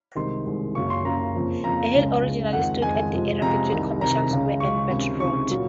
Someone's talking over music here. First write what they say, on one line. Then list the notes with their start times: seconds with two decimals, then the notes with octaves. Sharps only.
A hill originally stood at the area between Commercial Square and Battery Road.
0.16 C2 C3 D#3 G#3 C6
0.45 C2 C3 D#3 G#3
0.75 F#2 C#3 F#3 A#3 C#6
0.90 C6
1.05 F#2 C#3 F#3 A#3 A#5
1.35 F2 C#3 F3 A#3
1.64 F2 C#3 F3 A#3 A#5
1.94 C#2 C#3 G#3
2.23 C#2 C#3 G#3
2.53 F2 D#3 G#3 F#5
2.82 F2 D#3 G#3 G#5
3.12 F2 C3 F3 G#3
3.42 F2 C3 F3 G#3 A#5
3.72 C2 C3 D#3
4.01 C2 C3 D#3 A#5
4.31 C#2 C#3 G#3
4.60 C#2 C#3 G#3 C#6
4.90 C#2 C3 D#3
5.20 C#2 C3 D#3 C#6
5.50 A#2 F#3 A#3